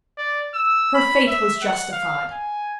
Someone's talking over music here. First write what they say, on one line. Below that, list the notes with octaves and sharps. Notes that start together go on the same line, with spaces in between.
Her faith was justified.
D5
E6
B5
E5
F#5
F5
G#5